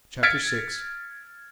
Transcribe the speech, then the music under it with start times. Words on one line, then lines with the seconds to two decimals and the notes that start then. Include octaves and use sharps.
Chapter VI.
0.23 F6 G#6 A6 B6 C#7 D7